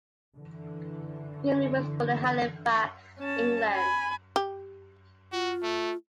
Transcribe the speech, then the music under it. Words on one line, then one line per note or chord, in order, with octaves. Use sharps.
Grimley was born in Halifax, England.
D3 E3
C#4 A5
G#5 B5
G4
F4 F#4
A3